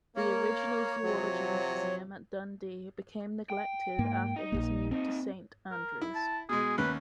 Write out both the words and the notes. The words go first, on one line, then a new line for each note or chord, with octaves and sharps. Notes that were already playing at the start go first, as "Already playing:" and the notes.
The original Zoology Museum at Dundee became neglected after his move to Saint Andrews.
A#3 C#5
C3 F3 F#3
G5
G#2 A#3
D#4
A#1 F2 A#3
A#2 C4 D#4
A#4
E4
A5
B2 G#3 G#4
D#2 C#4 B4